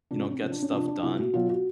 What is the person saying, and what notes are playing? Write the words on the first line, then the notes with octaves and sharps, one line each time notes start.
you know, get stuff done
C3 F3 D4
C#4
C4
C3 F3 C#4
D4
C#4
C3 F3 D4
D4
C3 F3 E4
F#4
B2 F#3 F4
F#4